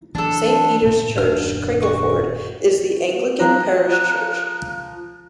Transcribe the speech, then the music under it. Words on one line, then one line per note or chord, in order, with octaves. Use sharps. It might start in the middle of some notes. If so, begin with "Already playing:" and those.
Saint Peter's Church, Cringleford is the Anglican parish church.
E3 F#3 D4 A4
A2 A3 B3
D#1 F#2 D4 F6
F#4 C#6
F3 A#5 F#6